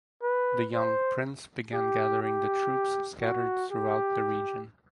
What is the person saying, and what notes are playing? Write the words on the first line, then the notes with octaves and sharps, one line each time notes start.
The young prince began gathering the troops scattered throughout the region.
B4
C5
G4
G4
F#4
G4